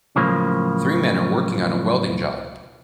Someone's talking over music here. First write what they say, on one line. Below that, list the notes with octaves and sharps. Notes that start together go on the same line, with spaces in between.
Three men are working on a welding job.
B1 A2 C#3 F3 A#3